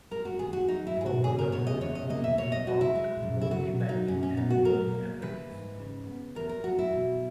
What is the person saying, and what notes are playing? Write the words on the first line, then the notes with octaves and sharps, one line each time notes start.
Over the whole tour he topped both the batting and the bowling averages.
G#3 A#4
F#4
D#3 G#4
F#4
F#3 D#4
E4
G#2 G#4
F#4
B2 G#4
A#4
B2 C#5
D#5
E2 C#5
D#5
A#3 D#5
E5
B2 C#5
D#5
B2 F#4
E4
G#3
F#2
E4
F#3 F#4
F#3
D#4
F#2 C#4
C#4
B3 D#4
F#4
F#3 A#4
A#3
E3 B4
G#2
C#3
B3
E2 A#4
A#4
F#3 F#4
E4
B2